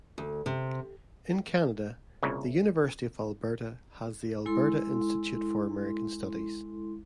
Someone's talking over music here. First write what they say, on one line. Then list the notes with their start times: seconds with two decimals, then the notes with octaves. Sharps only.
In Canada, the University of Alberta has the Alberta Institute for American Studies.
0.18 D2
0.46 C3
2.23 C2 A#2 C#3
4.46 G#3 E4 A4 C6